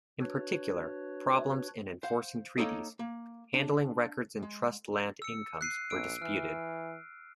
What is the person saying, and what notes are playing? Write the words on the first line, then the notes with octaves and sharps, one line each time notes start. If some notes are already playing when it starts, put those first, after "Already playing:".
In particular, problems in enforcing treaties, handling records and trust land incomes were disputed.
D4 F#4 B4 C#5
C5 F5 F#5
A#3 D4 D#4 A4 C#5 D#5
A#3
D4
G#3
E6 C#7
F#6 C7 D#7
A#1 E6 D7
E3 F6